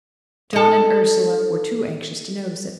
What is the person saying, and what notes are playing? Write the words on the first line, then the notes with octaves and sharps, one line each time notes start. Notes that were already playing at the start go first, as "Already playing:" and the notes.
John and Ursula were too anxious to notice it.
D#4 A4